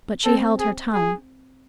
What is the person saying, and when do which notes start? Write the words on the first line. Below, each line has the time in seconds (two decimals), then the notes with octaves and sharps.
But she held her tongue.
0.25 C4 A4
0.59 G#4
0.93 G#4